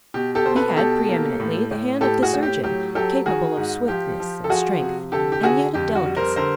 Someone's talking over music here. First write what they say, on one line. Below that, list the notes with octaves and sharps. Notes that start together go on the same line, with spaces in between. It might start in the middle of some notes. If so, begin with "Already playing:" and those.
He had, pre-eminently, the hand of the surgeon, capable of swiftness and strength, and yet of delicacy.
B2 G4
G4 A4
B2 C5
A4 B4
B2 G4 A4
A#3
A2
A2
A2 G4 A4
F#4 G#4
A2
G4
F#3 G4
F#3 G4 A4
D#3 F#4 G#4
G#2
F3 G4
F3
A4
F3 F#4 G#4
C3
D3 G4 A4
G4
D3 F#4 G#4
F2 G4
F#4
G3
A#4 C5
D3 A#4 C5